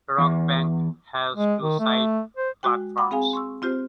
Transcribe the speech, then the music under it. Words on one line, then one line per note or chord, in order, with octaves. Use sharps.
Rockbank has two side platforms.
E2
G#3
D#3
A3
C5
G#3 F#4 G5
F#5 G5 B5 D#6
C4 G#4 F5 G#5
C6 C#6 E6
C4 F4 G4 C5